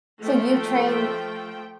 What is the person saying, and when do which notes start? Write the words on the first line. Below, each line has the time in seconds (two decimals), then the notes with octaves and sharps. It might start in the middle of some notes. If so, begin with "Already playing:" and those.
So, you train
0.23 F3 A3 G5